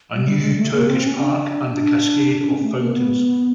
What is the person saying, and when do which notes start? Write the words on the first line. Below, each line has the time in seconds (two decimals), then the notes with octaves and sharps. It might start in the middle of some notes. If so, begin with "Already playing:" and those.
A new Turkish Park and the cascade of fountains.
0.15 G3
0.26 G3
0.41 G#3
0.57 A3
0.73 A#3
0.88 C4
1.05 C#4
1.21 D4
1.83 D4
2.47 C#4
2.62 A3
2.79 A#3
2.94 B3